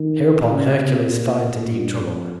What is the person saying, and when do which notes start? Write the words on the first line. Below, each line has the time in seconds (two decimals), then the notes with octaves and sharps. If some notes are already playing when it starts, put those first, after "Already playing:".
Hereupon Hercules fell into deep trouble.
Already playing: D#3
0.50 C#3
0.81 C3
1.11 A#2
1.41 A#2
1.71 G2
2.01 F2